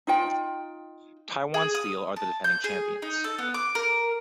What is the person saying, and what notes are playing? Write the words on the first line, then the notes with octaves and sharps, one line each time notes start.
Taiwan Steel are the defending champions.
D#4 F4 G5
G#4
D#6
A5
G6
G#4
D#4
A4
B3
D6
A#4